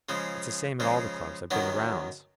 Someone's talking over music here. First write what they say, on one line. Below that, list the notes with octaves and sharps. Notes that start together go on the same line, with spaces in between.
It's the same at all the clubs; I've been the rounds.
C#3 F3 G#3
C#3 F3 G#3
F#2 D#3 F#3 B3